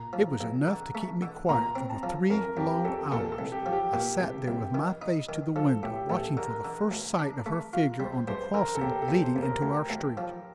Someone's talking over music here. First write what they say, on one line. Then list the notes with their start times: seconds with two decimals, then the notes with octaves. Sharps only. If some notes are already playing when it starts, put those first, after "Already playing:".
It was enough to keep me quiet for the three long hours I sat there with my face to the window, watching for the first sight of her figure on the crossing leading into our street.
Already playing: A#2 A#5
0.13 F3
0.41 A#1
0.68 D3
0.95 A3
1.22 D3
1.49 A#2 A#5
1.76 C4
1.90 A5
2.03 F3
2.30 F2 A#4
2.57 F2 G4
2.84 F2 A4
3.12 A#2 A4
3.32 A4
3.39 C2
3.52 G4
3.66 F3
3.73 G4
3.93 A#2
4.20 C2
4.48 C2
4.74 D#3
5.02 D#4
5.29 D#3
5.56 F3 A4
5.83 A2 G4
6.10 A1 A4
6.37 D3 A#4
6.65 D3
6.91 D2
7.19 D4
7.46 A3
7.73 F4
8.00 G3 C5
8.28 G2 C5
8.54 D3 A#4
8.75 A4
8.81 D#2 G4
9.02 A4
9.08 D#2
9.22 C5
9.36 D#2
9.42 A#4
9.62 D2
9.90 D2
10.17 F3